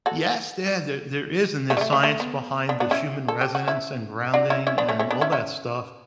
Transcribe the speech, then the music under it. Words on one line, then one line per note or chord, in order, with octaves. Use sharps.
Yes, there there there is and there's science behind the human resonance, and grounding, and all that stuff,
F#4 A4
A3 C#4
G3
A3
A3
A3
B3
B3 D4
B3 D4
C#4 E4
A4
G4
F#4
C#4 E4
D4 F#4
C#4 E4
C#4 E4
B3 D4
A3 C#4
A3 C#4
B3 D4
C#4 E4
C#4 E4